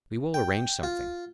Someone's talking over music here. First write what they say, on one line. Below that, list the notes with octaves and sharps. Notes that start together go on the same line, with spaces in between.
We will arrange something.
G5
F4